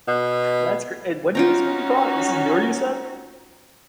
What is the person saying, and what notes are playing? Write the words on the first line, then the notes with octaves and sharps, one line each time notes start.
that's cr and when did this movie come out? This is newer you said?
B2
C#4 D#4 F4 F#4 G5 A#5